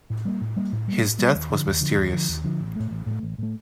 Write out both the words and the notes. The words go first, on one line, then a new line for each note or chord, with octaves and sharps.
His death was mysterious.
A2
G3 A#3
A2
G3 A#3
A2
G3 A#3
A2
G3 A#3
D#2
D3 F3
D#2
D3 F3
D#2
D3 F3
D#2
D3 F3
A1
A2 A3
A1
A2 A3
A1
A2 A3